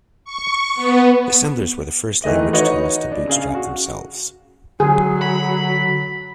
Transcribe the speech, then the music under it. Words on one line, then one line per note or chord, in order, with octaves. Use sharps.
Assemblers were the first language tools to bootstrap themselves.
C#6
B3
D#3 E3 A3 D#5
D#4 F#4 B4 C#5 D#5
D4
C#3 G#4 F5
F#4
D3 F#3 G#4
B5